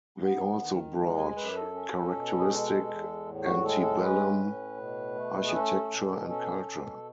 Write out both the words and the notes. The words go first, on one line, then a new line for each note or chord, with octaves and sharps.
They also brought characteristic antebellum architecture and culture.
B3
D#3
G#3
G#5
F#2 B4
A4
C#4
B2
G#4
G#3 A4
E2
A2
F#4
G#3 A4
A4
C#4 B4
A2
B2
A3
G#4
C#4 A4
B2
C#4 A4
B2